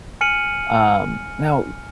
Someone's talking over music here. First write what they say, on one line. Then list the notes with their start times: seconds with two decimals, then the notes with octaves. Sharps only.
um, now,
0.21 G#5 F6 C#7 D#7 F#7